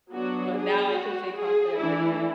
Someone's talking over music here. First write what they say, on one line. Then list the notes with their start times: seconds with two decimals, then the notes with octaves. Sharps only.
but now I can say confidently
0.12 F#3 B3 D4 F#4
0.53 G#4
0.95 F#4
1.36 G#4
1.78 E3 A3 D4 E4